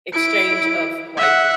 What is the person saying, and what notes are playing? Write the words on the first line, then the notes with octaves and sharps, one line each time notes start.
exchange of, like,
E4 D7
E5 F#5